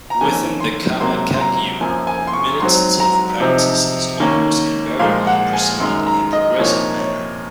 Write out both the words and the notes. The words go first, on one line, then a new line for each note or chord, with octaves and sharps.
Within the Karma Kagyu, meditative practice is almost invariably presented in a progressive manner.
A#5
F2 D#3 A#3 C#4 G#5
C6
C#2 C3 F#3 A#3 C6
C6
A#5
F#2 F3 A#3 G#5
G#5
C6
C#6
G#2 F#3 C4 C6
A#5
C3 F3 C4 D#4
D#2 D#3 A#3 C#4
A#2 F3 G#3 F5
F#5
G#5
F#2 D#3 G#3 C6
A#5
D#5
C2 A#2 F3 A#3 D#4 C#5
C#5